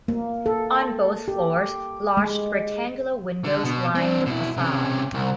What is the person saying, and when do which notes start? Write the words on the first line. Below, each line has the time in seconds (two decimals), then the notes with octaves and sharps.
On both floors, large rectangular windows line the facade.
0.08 A#3
0.46 A4
1.28 G4
2.17 G#3
3.45 D3
3.65 B2
3.95 C4 D4
4.26 B2 E4
4.57 C3 C#4
5.14 C2